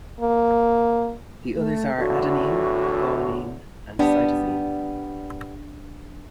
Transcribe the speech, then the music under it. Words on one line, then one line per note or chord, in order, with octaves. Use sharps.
The others are adenine, guanine, and cytosine.
A#3
A3
E2 A2 D3 F#4
G3 B3 D4